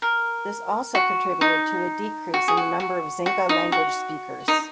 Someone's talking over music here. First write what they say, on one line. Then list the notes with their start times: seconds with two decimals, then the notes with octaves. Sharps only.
This also contributed to a decrease in the number of Xinca-language speakers.
0.02 A#4
0.95 F#4
1.41 D#4
2.34 F#4
2.48 G#4
2.57 F#4
2.80 F#4
3.26 F#4
3.49 D#4
3.72 F#4
4.48 D#4